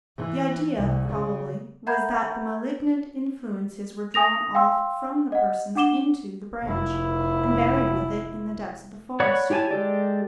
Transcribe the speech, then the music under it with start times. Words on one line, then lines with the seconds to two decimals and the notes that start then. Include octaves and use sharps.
The idea probably was that the malignant influences were drawn off from the persons into the branch and buried with it in the depths of the forest.
0.16 E3
0.77 C2
1.08 C#3
1.87 E5 F#5 A#5 B5 G6 G#6
4.14 G#5 D#6 A#6 F7
4.55 F5 G5 C6 E6
5.32 D#5 F#5
5.75 D4 F#5 D6 E7 G7
6.64 F1 E4
9.20 C#5 D5 F#5 B5 C#6
9.50 E4 G4 C#5 G#5 A5
9.71 G#3 G4 A4 D5